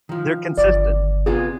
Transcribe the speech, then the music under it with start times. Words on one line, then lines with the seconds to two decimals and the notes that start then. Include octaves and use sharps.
They're consistent,
0.09 D#3 F3
0.58 G1 D5
1.26 C3 B3 F4 G#4